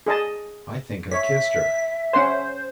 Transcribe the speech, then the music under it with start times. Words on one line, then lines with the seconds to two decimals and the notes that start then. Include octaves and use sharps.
I think I kissed her.
0.06 G#4 D#5 A5
1.11 C#5 E5 B6
2.13 C#4 C5 F#5 C6